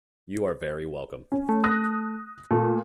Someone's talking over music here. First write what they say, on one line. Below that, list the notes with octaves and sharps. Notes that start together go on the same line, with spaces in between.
You are very welcome.
C#4
A3
D#6 F#6 A#6
A#2 A3